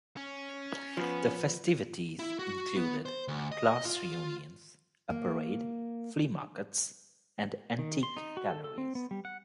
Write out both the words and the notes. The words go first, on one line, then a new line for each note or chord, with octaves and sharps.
The festivities included class reunions, a parade, flea markets, and antique galleries.
C#4
F3 B3
E4
F#4
B3
C5
D2
D#5
F4
A#3
D#3
C6
D#4
F#4
A4
A4
C4
B3
G3
F#5